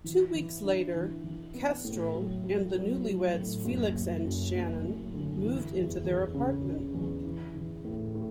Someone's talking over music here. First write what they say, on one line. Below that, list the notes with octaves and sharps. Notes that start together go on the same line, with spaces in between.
Two weeks later, Kestrel and the newlyweds Felix and Shannon moved into their apartment.
E3
E3
D4
E3
E3
B3
A2
F#3
F#3
F#3
F#3
A2
F#1
F#1
F#2
F#1
F#1
D3
E3
E2
E2
C#3
C#3
E2
E3
E3
A2
A2